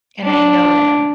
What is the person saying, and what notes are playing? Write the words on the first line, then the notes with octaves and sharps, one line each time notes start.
and I know them,
D4